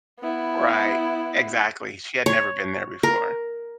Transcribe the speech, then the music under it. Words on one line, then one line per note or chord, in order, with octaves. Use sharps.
Right. Exactly, she had never been there before.
B3 E4
C#5
A#4